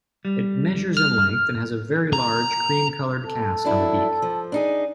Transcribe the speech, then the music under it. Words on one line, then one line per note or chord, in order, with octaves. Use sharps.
It measures in length, and has a very large cream-colored casque on the beak.
G3
F6
A#5
A4
F#3 D4 E4
F3
D4 D#4 G#4